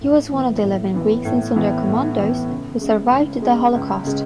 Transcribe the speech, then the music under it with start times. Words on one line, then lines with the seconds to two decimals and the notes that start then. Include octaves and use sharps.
He was one of eleven Greeks in sonderkommandos who survived the holocaust.
0.01 A2
0.32 E3 B3
0.63 A2
0.94 E3 B3
1.25 A2
1.56 E3 B3
1.87 A2
2.18 E3 B3
2.49 C#2
2.81 C#3 G#3
3.11 C#2
3.42 C#3 G#3
3.75 C#2
4.04 C#3 G#3